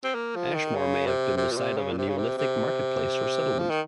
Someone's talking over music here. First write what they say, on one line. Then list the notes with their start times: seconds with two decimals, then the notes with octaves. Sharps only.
Ashmore may have been the site of a Neolithic market place or settlement.
0.04 C4
0.15 A#3
0.36 F3
0.55 D#3
0.75 C#3
1.06 C3
1.37 C3
1.51 A#2
1.57 C3
1.77 C#3
1.92 A#2
1.98 C3
2.09 C#3
2.18 C3
2.38 C3
3.59 F3
3.70 D#3